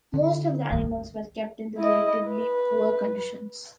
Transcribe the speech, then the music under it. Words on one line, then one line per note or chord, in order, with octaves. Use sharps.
Most of the animals were kept in relatively poor conditions.
D3
D1 B1 G2 D#3
E4 D#5
B4